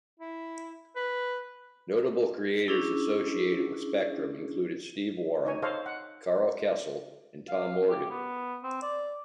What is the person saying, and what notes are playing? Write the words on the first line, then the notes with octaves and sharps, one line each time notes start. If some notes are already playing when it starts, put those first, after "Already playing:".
Notable creators associated with Spectrum included Steve Woron, Karl Kesel and Tom Morgan.
E4
B4
C#4 D4 E4 G#4
D#4 C#5 G#5
A4 C5 C#5 D#5 F5
F#5
F5
G4
B3
C4
D5